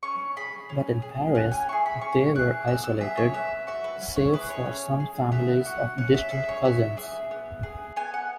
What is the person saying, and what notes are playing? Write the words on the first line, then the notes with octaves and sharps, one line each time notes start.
But in Paris they were isolated, save for some families of distant cousins.
C#4 C#6
G#4 B5
C#4
G#4
C#4 F#5
G#5
E4 G#4 C#6
B5
C#4 C#6
E4 G#4 F#6
B3 E6
E6
G#4 E5
C#5
B3 E5
F#4 E5
B4
C#4
C#5
E4 G#4 B4
C#5
C#4
G#4
B3 E5
F#4 F#5
C#4 F#5
E5
G#4 E5
C#5
B3 E5
G#4 E5
B3
G#4
B3 G#5
F#5